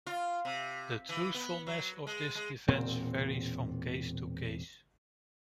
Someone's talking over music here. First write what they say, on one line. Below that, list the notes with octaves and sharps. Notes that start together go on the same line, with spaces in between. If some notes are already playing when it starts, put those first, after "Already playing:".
The truthfulness of this defence varies from case to case.
F4
C3
E3
B3
F#3
G#3
G#3
E1 A#2 C4